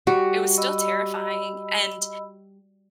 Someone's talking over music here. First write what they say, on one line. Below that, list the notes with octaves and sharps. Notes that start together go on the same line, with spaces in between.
it was still terrifying, and
G3 F#4
D#5 B5 E6